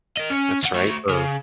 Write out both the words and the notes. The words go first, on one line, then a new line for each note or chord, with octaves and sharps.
That's right, of
A#4 D#5
C#4
D2 F#5
A3 F#4
C#3